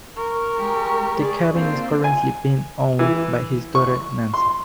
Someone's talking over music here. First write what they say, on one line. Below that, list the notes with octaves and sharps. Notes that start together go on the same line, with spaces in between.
The cabin is currently being owned by his daughter Nancy.
A#4 C#6
G#3 G4
G#4 D5
A#3 C4 D4 F4 C5
G#5
E3
C#6
C6